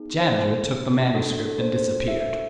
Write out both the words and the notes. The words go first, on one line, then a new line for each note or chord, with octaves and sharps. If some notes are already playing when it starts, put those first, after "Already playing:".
The janitor took the manuscript and disappeared.
Already playing: B3 D#4 G#4
C5
D4 F#4 A4
C5
C5
E5